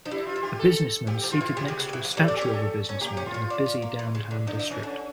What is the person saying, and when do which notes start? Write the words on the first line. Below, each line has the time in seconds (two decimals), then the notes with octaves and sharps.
A businessman seated next to a statue of a businessman in a busy downtown district.
0.05 F3 D4
0.11 G3 E4
0.27 F4
0.36 E3
0.43 G4
0.59 A4
1.07 F3 G4
1.24 F3
1.32 F4
1.41 E3
1.56 C#3 G4
1.68 C#3
1.80 C#3
1.93 E3
2.05 F3
2.17 G3
2.21 A4
2.28 D4
2.37 C#4 G4
2.53 A4
2.89 C#4
3.01 A#3 G4
3.17 C#4
3.26 F4
3.34 C#4
3.50 D4
3.66 C#4
3.82 A#3
3.99 E3
4.15 C#3
4.31 D3
4.47 F3 D4
4.59 E3
4.71 E3 C#4
4.83 D3